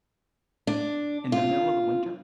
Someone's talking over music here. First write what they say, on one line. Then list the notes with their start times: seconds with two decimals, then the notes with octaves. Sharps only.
in the middle of the winter,
0.67 D4
1.32 F4